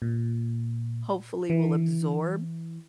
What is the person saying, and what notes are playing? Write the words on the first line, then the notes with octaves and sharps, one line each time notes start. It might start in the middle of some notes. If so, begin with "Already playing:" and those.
hopefully will absorb
A#2
E3